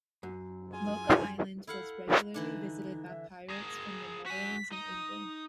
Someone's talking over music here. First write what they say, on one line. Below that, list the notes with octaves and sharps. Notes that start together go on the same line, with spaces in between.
Mocha Island was regularly visited by pirates from the Netherlands and England.
F#2
F4 G#4 G#5
E4 A4 F5 F#5
D3 E3 D4 D#4
E5
G#4 A#4
F#4 G#5 B6
D#4 D#6